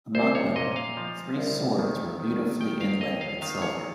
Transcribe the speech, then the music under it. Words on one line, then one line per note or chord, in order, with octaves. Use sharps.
Among them, three swords were beautifully inlaid with silver.
C2 C5
C#5
A#2 D#5
F5
F3
C2
D#3
D#3
D#3 G5
F5
D#2 D#5
F5
D#3 F5
C#5